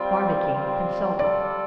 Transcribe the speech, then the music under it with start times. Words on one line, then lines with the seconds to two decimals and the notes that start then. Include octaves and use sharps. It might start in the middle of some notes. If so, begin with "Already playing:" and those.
Barbicane consulted it.
Already playing: G3 C4 F4 G5
0.54 G3 C4 F4
1.19 G3 F4 A4 D5